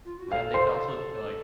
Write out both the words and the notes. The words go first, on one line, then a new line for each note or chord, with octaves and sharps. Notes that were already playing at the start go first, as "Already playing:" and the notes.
then they could also d like
F4
F#4
A4 F5
C5 C6